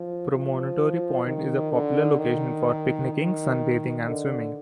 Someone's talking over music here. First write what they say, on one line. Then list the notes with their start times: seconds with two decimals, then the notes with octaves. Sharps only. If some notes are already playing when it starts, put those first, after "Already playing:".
Promontory Point is a popular location for picnicking, sunbathing, and swimming.
Already playing: F3
0.30 F3
1.24 D#3
1.72 D3
2.18 D#3
3.13 D#3
4.07 D3